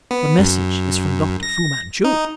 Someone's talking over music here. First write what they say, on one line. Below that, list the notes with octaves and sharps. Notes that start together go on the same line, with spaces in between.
"The message is from Dr. Fu-Manchu!"
B3
F#2
A#6
D#4